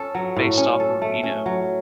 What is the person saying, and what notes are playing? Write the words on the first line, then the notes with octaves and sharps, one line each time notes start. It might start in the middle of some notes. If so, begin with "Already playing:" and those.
based off of, you know,
Already playing: C#4 A4
F#3
A2
C#4
A4
A3
C#4
F#3